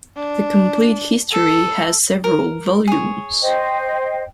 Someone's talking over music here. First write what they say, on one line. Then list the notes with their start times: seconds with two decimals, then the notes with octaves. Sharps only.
"The Complete History" has several volumes.
0.16 D4
1.31 A4
2.24 A#4
2.88 G#4 C#5
3.43 C5 D#5 G5